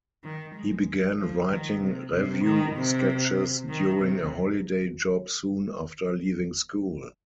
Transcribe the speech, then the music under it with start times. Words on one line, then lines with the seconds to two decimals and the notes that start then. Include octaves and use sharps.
He began writing revue sketches during a holiday job soon after leaving school.
0.24 D#3
0.55 G#3
1.18 F3
1.50 D#3
1.81 C3
2.12 C3
2.44 D#3
2.75 C3
3.69 D#3
4.00 C3